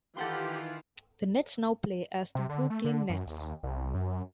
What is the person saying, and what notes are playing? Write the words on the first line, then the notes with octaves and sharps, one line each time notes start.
The Nets now play as the Brooklyn Nets.
D#3 E3 F4 G4 A4 F#5 C6
C3
D3
A3
D3
F#2
D#2
C2
F#2